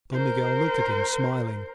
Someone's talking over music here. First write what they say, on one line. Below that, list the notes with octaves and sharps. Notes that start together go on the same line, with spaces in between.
Don Miguel looked at him, smiling.
A#4 C5